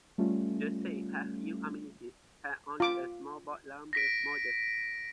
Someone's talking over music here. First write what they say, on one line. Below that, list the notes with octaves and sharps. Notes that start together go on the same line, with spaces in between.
The same had few amenities: had only a small box lumber modest.
G3 A3 C#4 F4
F4 D6
A#6 B6 D7